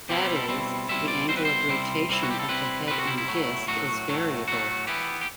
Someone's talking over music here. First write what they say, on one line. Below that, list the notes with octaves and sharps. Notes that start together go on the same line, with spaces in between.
That is, the angle of rotation of the head and disk is variable.
B2 G3 C4 E4 G4
G4
A4
B2 G3 C4 E4
B2 G3 C4 E4 E5
D5
B2 G3 C4 E4 C5
B4
C5
C3 G3 C4 E4
C3 G3 C4 E4
F#4
G4
A4
C3 G3 C4 E4 B4
C3 G3 C4 E4 B4
F#4
E4
E4
A2 F#3 A3
A2 F#3 A3 F#4
A2 F#3 A3
A2 F#3 A3 F#4
E3 B3 E4 G4
G4